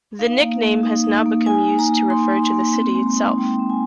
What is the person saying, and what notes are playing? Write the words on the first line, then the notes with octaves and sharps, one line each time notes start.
The nickname has now become used to refer to the city itself.
D#4 F5
A#3
A#3
D#4
D#4
A#3
D#4 G#5
A#3
A#5
A#3
D#4 C6
D#4
C6
A#3
C4 C6
G#3
A#5
D#4
G#3 G5
C4
G#5